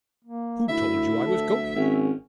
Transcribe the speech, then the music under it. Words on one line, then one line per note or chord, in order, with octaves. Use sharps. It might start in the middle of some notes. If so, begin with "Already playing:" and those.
"Who told you I was going?"
A#3
D2 E4 E5
A4
G#1 C#4